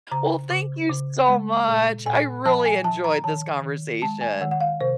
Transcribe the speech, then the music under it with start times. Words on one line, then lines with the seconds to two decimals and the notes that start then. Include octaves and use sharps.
Well, thank you so much. I really enjoyed this conversation.
0.12 C#3 A#5
0.51 C#3
0.90 C#3
1.28 G#3
1.68 A#2
2.06 A#2 G#5
2.46 F3 A5
2.65 G#5
2.84 F3 A5
3.04 A#5
3.24 D#3 A5
3.63 D#3
4.02 G#3 A5
4.21 G#5
4.41 D#3 F#5
4.51 F#5
4.61 F5
4.81 C3 C5